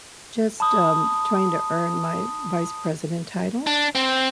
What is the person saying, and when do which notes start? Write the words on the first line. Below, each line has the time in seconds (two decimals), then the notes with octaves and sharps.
just, um, trying to earn my Vice President title
0.60 A5 B5 D#6
3.67 D4
3.95 C4